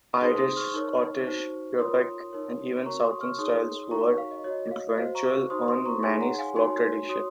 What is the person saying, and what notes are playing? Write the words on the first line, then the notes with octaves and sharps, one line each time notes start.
Irish, Scottish, Quebec, and even southern styles were influential on Maine's folk tradition.
D#4 G#4 C5 C6 D#6
C6 D#6
C#6 F6
D#4 A#4 C#5
D#4 F#4 C5
F4 A#4 C#5 C6 D#6
D#4 A#4 C#5
F#4 A#4 C#5 A#5 C#6
C6 D#6
C#6 F6
D#4 G#4 C#5 C6 D#6
D#4 F#4 A#4 C#5 A#5 C#6
F5
D#5
F#4 C#5 D#5
F5
D#5
F#4 C5 F5
A#5 C#6
D#4 F#4 C5 C6 D#6
C6 D#6
A#5 C#6
D#4 G#4 C#5 G#5 C6
F#5 A#5
F5 G#5
D#4 F#4 C#5 G#5 C6
F#4 C#5 C6 D#6